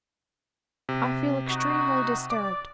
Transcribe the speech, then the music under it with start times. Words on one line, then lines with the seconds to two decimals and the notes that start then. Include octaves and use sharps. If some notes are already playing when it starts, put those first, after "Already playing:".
I feel extremely disturbed.
0.89 C3
1.48 D#4 F#4
2.30 D5 D6